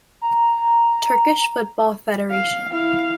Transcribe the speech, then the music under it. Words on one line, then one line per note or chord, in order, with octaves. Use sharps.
Turkish Football Federation.
A#5
F5
E4 F5